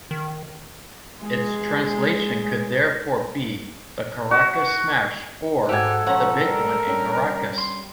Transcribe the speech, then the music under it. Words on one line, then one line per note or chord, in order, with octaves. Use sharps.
Its translation could therefore be "the Caracas smash" or "the big one in Caracas".
D#3
G#3 G#4
F#4
G#2 F#4 G4 A4 E5 F#5 G#5
F3 C#4 C#5 F#5 A#5
G3 C4 A#4
G3 C#4 D4
C6